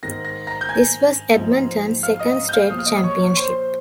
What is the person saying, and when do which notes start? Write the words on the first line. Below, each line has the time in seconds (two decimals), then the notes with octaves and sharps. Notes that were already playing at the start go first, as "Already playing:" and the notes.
This was Edmonton's second-straight championship.
0.03 G#2 D#3 A#6
0.25 A#6
0.47 A#5 A#6
0.61 G6
0.69 G#5 G#6
1.36 G#2 F3
2.03 F5 F6
2.19 D#5 D#6
2.49 G6
2.53 F5 F6
2.70 A#2 F3 D#6
2.79 F6
2.86 D#5 D#6
3.03 C#5 C#6
3.26 C#6
3.37 C5 C6